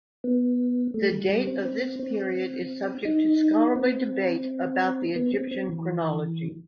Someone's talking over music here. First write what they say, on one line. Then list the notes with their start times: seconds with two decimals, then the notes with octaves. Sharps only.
The date of this period is subject to scholarly debate about the Egyptian chronology.
0.24 B3
0.94 A3
1.12 G3
1.29 G3
1.47 C4
1.65 C4
2.00 C4
3.05 D#4
3.76 C4
5.16 B3
5.34 C4
5.51 C4
5.69 E3